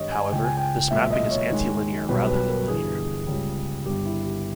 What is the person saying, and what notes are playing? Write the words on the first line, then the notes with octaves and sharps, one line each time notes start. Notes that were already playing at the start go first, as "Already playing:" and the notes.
However, this mapping is antilinear rather than linear.
Already playing: G#1 G2 G3 C#5 D#5
G#5
C#2 C#3 G#3 G5
G#5
G5
B1 A#2 G#3 E5
D#5
C#5
D#2 D#3 G#3
B1 B2 G3 B4
B4
A#4
G1 G2 E3 G#4
C#2 C#3 G3
G1 G2 G3 G4
E4
G4